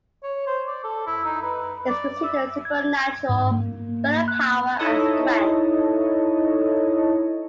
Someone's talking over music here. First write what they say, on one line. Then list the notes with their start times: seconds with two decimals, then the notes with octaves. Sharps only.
It is considered a supernatural bird of power and strength.
0.23 C#5
0.47 C5
0.68 D5
0.84 A4
1.07 E4
1.25 D#4
1.42 B4
1.90 D5
2.24 E5
2.65 G#6
3.29 G#2
3.51 A#3
4.28 F#6
4.79 D#4 E4 A4 C#5 D#5